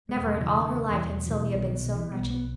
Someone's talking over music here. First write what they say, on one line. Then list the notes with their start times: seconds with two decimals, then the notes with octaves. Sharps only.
Never in all her life had Sylvia been so wretched.
0.09 G#3
0.14 E1
0.26 F#3
0.37 C#3
0.42 E3
0.59 E1 D#3
0.77 D#3
0.83 E2
0.94 E3
1.05 E1
1.12 F#3
1.28 B2 E3
1.52 B1
1.62 D#3
1.74 B2
1.96 B2 E3
2.14 B3
2.20 B1
2.30 B3